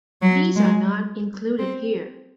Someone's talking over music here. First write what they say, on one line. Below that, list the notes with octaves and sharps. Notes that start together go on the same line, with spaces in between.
These are not included here.
F#3
G#3
C4